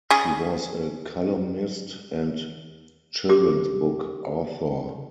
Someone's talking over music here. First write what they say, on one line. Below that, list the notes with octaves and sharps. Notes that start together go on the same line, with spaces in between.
She was a columnist and children's book author.
C#3 G#4
G4 D6